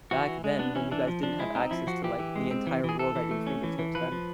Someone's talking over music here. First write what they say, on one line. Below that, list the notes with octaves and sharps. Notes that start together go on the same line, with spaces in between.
back then when you guys didn't have access to, like, the entire world at your fingertips, then
E3 F#4
E3
G#3
B3 D4
E3 C#4
E3 D4
F3
F3 D4
G#3 E4
C4 D#4
F3 E4
F3 F#4
E3 G4
E3
G#3
C4
E3
E3 G#4
E3 A4
E3
A3
C#4
E3
E3
F3 B4
F3